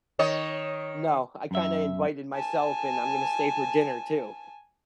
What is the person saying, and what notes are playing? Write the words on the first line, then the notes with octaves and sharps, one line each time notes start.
No. I kinda invited myself, and I'm gonna stay for dinner too.
D#3 C#5 D#5
F#2 E5
G#5 A5